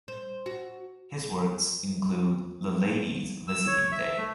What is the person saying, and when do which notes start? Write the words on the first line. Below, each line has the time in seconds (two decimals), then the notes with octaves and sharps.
His works include "The Ladies Visiting Day".
0.08 C5
0.46 F#4
3.48 E6
3.67 C#5
3.92 E5
4.18 A3